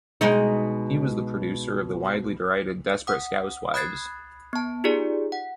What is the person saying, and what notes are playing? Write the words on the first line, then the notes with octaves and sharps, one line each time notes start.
He was the producer of the widely derided "Desperate Scousewives".
B2 G#3 D#4
F#5 D#6
B5 D#6 F#6 G#6 A6 C7
B3 A5
D#4 F4 G4 G#4 D5
F#5